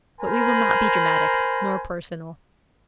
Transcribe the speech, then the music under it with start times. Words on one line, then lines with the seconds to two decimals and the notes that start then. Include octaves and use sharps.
'But we will not be dramatic, nor personal.'
0.21 A#4 C5 G#5 A#5 B5